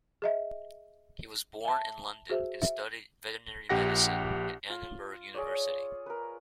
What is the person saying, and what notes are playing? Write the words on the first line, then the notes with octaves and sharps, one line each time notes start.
He was born in London and studied veterinary medicine at Edinburgh University.
G#4 D#5 E5
E5 A5
F#4 G#4 C5 E5
E5
A#1 G4 F#5 A#6
F4
G#4 C#5 D5
A#4 B4